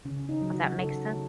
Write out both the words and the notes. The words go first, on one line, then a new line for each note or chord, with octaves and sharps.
If that makes sense.
C#3 C#4
D#4
F#3
F#4
C#3 A4